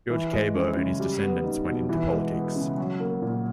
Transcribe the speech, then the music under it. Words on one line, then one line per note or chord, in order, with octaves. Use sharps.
George Cabot and his descendants went into politics.
E3
G#3
C#4
C#3
G3
B3
D#4
B2
E3
G#3
B3
C#3
F#3
A#3
A#2